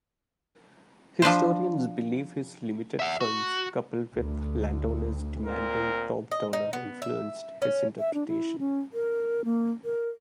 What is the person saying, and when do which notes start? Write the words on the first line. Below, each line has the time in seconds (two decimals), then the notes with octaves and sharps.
Historians believe his limited funds, coupled with landowners' demanding top dollar, influenced his interpretation.
1.22 F3 D4 B4 C5
3.00 E5 F#5
3.21 F#4
4.15 D2
5.46 A#2 C4 A#4
6.31 D#5
6.53 D#4
6.73 B3
7.02 E5
7.62 C#4
7.99 E5
8.14 D4
8.28 E4
8.59 C#4
8.93 A#4
9.45 A#3
9.85 A#4